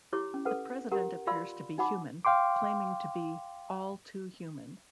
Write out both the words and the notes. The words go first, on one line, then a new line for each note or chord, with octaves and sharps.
The president appears to be human, claiming to be "all too human".
E4 G4 C#5 D6
C#4
A4 B4 F#5
G4 A#4 F#5 A#5
F4 D5 F5 B5 C6 E6
D#4 F#4 F#5 B5 D6
F5 G5 C6 D6